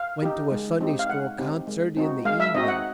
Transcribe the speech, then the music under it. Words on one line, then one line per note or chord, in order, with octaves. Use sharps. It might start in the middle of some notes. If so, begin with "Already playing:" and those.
Went to a sunday school concert in the evening.
Already playing: F5
D#4 G4
G#3
C4 D#4 G4
F5
G#3 F#5
C4 D#4 G4
G#3
C4 D#4 F#4
G#3 F5
E5
C4 D#4 F#4 D#5
F#5